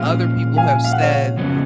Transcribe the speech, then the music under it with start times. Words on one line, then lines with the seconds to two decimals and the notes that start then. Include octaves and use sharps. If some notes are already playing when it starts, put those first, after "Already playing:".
Other people have said, "Th
Already playing: A#2 F3 G#3 C#4 F4 F5
0.57 F5 G#5
0.84 F5
0.92 F#5
1.00 C#5 F5
1.37 F2 C#3 F#3 B3